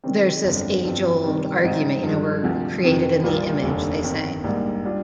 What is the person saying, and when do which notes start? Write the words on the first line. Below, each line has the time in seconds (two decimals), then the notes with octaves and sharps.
There's this age-old argument, you know, we're created in the image, they say,
0.04 C3 D#3 G3 C4
0.44 G1 F2 D3 G3
0.84 G1 G2 F3 C4
1.24 C3 D#3 G3
1.63 G#2 G3 C4 D#4
2.03 G2 F3 G#3
2.43 D2 C3 F3
2.84 F2 C3 D#3
3.24 A#1 A#2 G3 A#3 F4
3.63 F1 D#2 D3
4.03 G1 F2 D#3
4.44 A#1 G#2 G3 A#3
4.85 G3 D4 F4